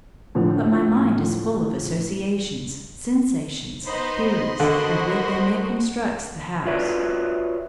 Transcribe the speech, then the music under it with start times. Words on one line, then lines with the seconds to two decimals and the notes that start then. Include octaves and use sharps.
But my mind is full of associations, sensations, theories, and with them it constructs the house.
0.35 A2 D3 F3
3.86 B3 D#4 C5 D#5 B5 C6
4.60 D3 F#4 A#4 C5
6.65 F4 F#4 B4 C#5 D5 E5